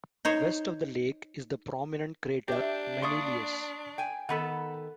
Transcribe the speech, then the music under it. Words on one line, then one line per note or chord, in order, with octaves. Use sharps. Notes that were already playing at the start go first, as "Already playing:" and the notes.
West of the lake is the prominent crater Manilius.
D#4 C5 C#5
D4 G4 E5
A#3 D5 C6 C#6 D#6
G5 G#5
D#3 B3 A4 F#5 B5